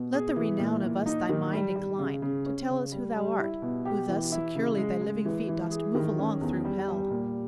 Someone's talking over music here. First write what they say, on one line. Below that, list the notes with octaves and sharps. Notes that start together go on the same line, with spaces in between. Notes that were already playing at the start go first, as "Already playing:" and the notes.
Let the renown of us thy mind incline To tell us who thou art, who thus securely Thy living feet dost move along through Hell.
Already playing: B2
G#4
E3
A#2
A#2
D#4
D#3
G3
G3
C#3
C#3
C#4
C#3
G3
G3
E4
B2
G4
E3
E4
C#3
G#3
G#3
E3
E3
G#4
D#3
C#4
E2
G3
G3
A#2